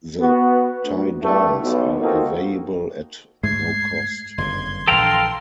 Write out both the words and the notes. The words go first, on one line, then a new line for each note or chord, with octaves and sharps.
The tie downs are available at no cost.
B3 F#4
D2
E2 G2 A3
B1 B2
A#3 C4 D#4 F4 F#4 A4
G#2 G#3 A3 G#6 C7
G1 F#2 C#3 C6 G#6
A#1 E3 A4 F5 G5 A#5